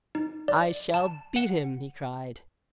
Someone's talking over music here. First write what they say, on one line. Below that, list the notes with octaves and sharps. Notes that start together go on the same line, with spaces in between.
"I shall beat him!" he cried.
D#4
D5
A5
F#5